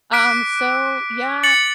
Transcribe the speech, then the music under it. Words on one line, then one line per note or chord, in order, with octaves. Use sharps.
Um, so yeah,
D6 F#6 B6 D7
A6 C#7 F#7